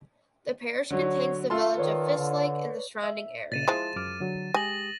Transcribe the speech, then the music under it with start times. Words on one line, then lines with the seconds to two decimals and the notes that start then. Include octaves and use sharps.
The parish contains the village of Fishlake and the surrounding area.
0.90 D3 F#3 C#5
1.50 A3 F4 A4 C6
1.77 D#3 B4 C#5 D5
2.17 D3
3.03 E5
3.52 A#2 C#3 A6 D#7 E7
3.68 F3 G#3 E4 A5
3.96 F#2 D6 F6
4.20 D3 F#3
4.54 G#3 G4 G#5 D#6 A#6 F#7